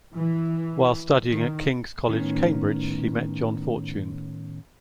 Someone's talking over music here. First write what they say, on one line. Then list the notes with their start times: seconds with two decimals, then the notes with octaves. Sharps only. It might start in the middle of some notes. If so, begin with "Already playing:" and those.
While studying at King's College, Cambridge, he met John Fortune.
0.15 E3
1.29 D#3
2.08 A2 D#3 B3 C#4